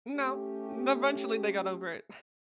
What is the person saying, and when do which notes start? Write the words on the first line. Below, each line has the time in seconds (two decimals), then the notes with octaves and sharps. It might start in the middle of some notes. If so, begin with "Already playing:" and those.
No, eventually they got over it.
0.16 A3 C#4 G4